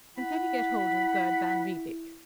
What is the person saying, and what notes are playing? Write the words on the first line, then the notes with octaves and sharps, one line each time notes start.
And can you get hold of Gerd van Riebeek?
E4 F#5 B5